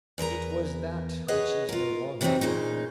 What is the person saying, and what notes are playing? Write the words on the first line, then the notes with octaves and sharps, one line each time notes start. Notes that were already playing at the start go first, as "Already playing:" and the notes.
It was that which is no longer.
E2 A#4 B4 A#5
G#4 B4 C#5 D#5 F#5
F4 A#4
C3 E3 F#3 B3 C4 D#4
D2 A#2 C#3 D#4